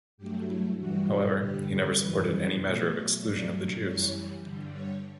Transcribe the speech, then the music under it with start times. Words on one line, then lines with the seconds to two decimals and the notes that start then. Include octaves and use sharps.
However, he never supported any measure of exclusion of the Jews.
0.18 G2 F#3 A3 G4
0.47 E4
0.77 G2 E3 G3 F#4
1.38 G2 D3 G3 G4
1.98 F#2 E3 G3 B4
2.59 B2 F#3 A3
2.90 C#5
3.20 G2 F#3 A3 D5
3.81 F#2 E3 G3 C#5
4.41 G2 D3 G3
4.71 C#5